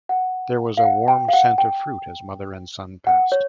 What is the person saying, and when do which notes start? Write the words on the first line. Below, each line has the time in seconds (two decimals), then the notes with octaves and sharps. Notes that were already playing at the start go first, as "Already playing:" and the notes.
There was a warm scent of fruit as mother and son passed.
0.09 F#5
0.77 F5
0.83 F#5
1.08 G5
1.28 F5
1.33 F#5
1.58 G5
3.07 F#5
3.32 C#5